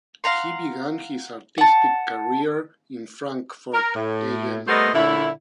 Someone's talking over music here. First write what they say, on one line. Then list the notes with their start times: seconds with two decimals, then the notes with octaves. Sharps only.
He began his artistic career in Frankfurt am Main.
0.24 F5 F#5 A#5 C6
1.58 F#5 A5
3.73 A#4
3.95 A2
4.68 G3 A3 B3 A#4 C5 D#5
4.94 A#2 D3 C#4 E4